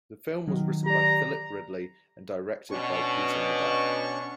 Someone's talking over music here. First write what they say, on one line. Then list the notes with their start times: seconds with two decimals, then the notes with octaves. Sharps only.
The film was written by Philip Ridley and directed by Peter Medak.
0.48 D#3 F#3
0.86 G4 D5 A#5
2.71 B2 C#4 D4 C#6